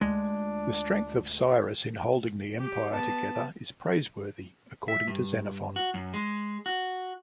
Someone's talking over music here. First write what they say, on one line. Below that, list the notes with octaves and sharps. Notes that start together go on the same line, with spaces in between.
The strength of Cyrus in holding the empire together is praiseworthy according to Xenophon.
D2 G#3 D4 F4
G4
B3 A5
E5
G2
F#4
F#2
G#3
F#4